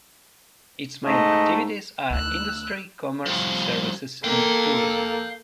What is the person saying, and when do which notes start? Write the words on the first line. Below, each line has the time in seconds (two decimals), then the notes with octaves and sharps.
Its main activities are industry, commerce, services and tourism.
1.06 G#2 A3 D#5
2.10 D2 E6 F#6
3.26 F3 G3
4.24 A#3 A4 F5 G5